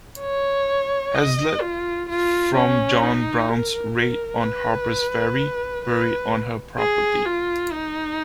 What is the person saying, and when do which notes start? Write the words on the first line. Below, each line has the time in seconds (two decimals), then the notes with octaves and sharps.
Hazlett, from John Brown's raid on Harpers Ferry, buried on her property.
0.20 C#5
1.14 D#5
1.61 F4
2.09 F4
2.55 C#4
3.02 D#4
3.49 A#4
3.97 A#4
4.43 B4
5.84 B4
6.79 G#4
7.25 F4
7.72 D#4